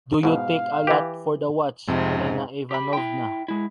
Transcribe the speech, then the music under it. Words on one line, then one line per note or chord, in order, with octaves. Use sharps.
Do you take a lot for the watch, Alena Ivanovna?
G#2 B2 F5
E3 G4
F2 G#2 C3
G4 B5
E4 G5
G#3 E4